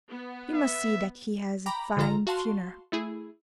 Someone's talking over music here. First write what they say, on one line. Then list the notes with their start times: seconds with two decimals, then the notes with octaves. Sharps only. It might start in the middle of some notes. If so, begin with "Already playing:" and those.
You must see that he has a fine funeral.'
0.10 B3
0.54 E5
1.66 G5 A#5 B5 D6
1.96 G#1 D3 F3 F4 A4 A#5
2.27 F#4 F5 A5 C6
2.92 A3 E4 G#4